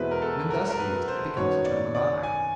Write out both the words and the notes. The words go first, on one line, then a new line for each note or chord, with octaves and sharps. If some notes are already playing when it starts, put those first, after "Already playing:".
When thus used it becomes a term of eye.
Already playing: E2 B2 G#3 B3 E4 B4 C5
A#4
A4
A#4
A#4
B4
C5
F#2 D#3 F#3 B3 C#5
D5
D5
G#5